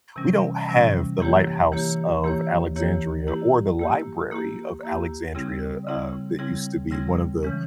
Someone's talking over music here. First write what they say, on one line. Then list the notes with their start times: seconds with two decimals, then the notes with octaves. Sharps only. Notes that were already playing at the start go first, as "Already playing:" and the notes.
We don't have the Lighthouse of Alexandria or the Library of Alexandria, uh, that used to be one of the,
0.16 C3 E3 G3 C#4
0.69 C3 E3 G3 C#4
1.20 E3 A#3 E4 G4 C#5
1.72 E3 A#3 E4 G4 C#5
2.24 E3 A#3 E4 G4 C#5
2.76 E3 A#3 E4 G4 C#5
3.27 A#3 E4 G4
3.79 A#3 E4 G4
4.31 A#3 E4 G4
4.83 A#3 E4 G4
5.35 C#3 G3 C4 E4 G#4
5.87 C#3 G3 C4 E4 G#4
6.39 C#3 G3 C4 E4 G#4
6.91 C#3 G3 C4 E4 G#4
7.43 C#3 E3 G#3 C#4